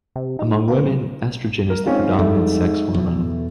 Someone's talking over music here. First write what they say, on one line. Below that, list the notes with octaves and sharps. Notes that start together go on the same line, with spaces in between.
Among women, estrogen is the predominant sex hormone.
C3
D#4
C#3 A#3 B4
F#3 C4
A#4
G#2 C4 C#4 F4
F2 G3 A3 E4
E2 B2